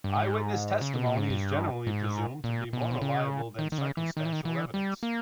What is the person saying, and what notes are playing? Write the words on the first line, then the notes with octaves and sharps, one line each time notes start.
Eyewitness testimony is generally presumed to be more reliable than circumstantial evidence.
G2
G#2
C#3
B2
A#2
G#2
G2
G#2
A#2
B2
A#2
B2
C#3
D#3
D#3
C#3
E3
D#3
E3
D#3
E3
G3
A#3